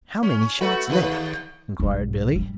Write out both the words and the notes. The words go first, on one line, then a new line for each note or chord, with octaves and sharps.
"How many shots left?" inquired Billy.
C#4
A3 F#4 B4
D#2 B4
B1 G#2
G3